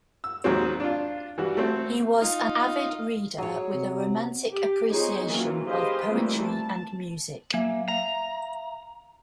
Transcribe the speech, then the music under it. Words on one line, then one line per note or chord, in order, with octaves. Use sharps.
He was an avid reader with a romantic appreciation of poetry and music.
E6
D#2 G#2 F#3 C4
D4 F4
E3 G3 F#4
A3 C4 F#4
D#4 F4 F5
F#3 G#4 C#5
C3
G4
F3 B3 D#4 G#4 C5 C#5
D#3 E3 F#3 A#3 C#4 F4
G4 G#4 B4 C5 D#5 F5
E3 G3 A3 A#3 C4 F4
A5
F#3 A#3 E5 G#5
E5 F5 A#5